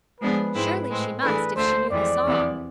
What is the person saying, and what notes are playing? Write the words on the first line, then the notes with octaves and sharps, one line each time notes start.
Surely she must if she knew the song.
F3 G#3 B3 D4 G#4 B4
G#2 G#3 C4 E4
A2 G#3 C4
E3 A3 D4 G#4 B4
D2 D3 A3 C5
F2 E3 G#3 D5
E2 C3 E3 B3